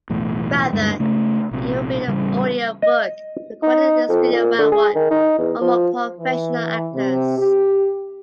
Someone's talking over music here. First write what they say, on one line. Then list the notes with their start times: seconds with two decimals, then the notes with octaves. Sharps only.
Rather, it will be an audio-book, recorded in a studio by one or more professional actors.
0.10 B1 E2 A2
0.73 D2 G2 G#3
1.00 C#3 A3
1.51 A#1 C3
2.07 A1 C#3 G3
2.82 D#5
3.62 D#4
4.09 F2
4.32 A#2
4.58 D3
4.72 G#4
4.95 D#3
5.10 D#4
5.39 E2
5.61 F3
6.20 E3
6.93 C3
7.38 G4